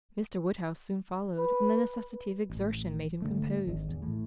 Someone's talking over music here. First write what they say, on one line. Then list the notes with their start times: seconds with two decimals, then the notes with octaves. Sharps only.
Mr. Woodhouse soon followed; and the necessity of exertion made him composed.
1.38 B4
2.50 A1
3.22 G#2 D3 A3
3.67 G#1
3.89 E2
4.02 A2